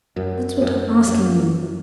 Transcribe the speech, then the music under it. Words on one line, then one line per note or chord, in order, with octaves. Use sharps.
That's what I'm asking you!
F#2
F#2
F#2